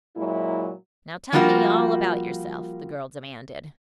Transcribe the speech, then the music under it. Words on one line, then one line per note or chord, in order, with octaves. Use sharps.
"Now tell me all about yourself," the girl demanded.
A#2 F#3 G#3 E4
F3 G3 A#3 F4 F#4 A#4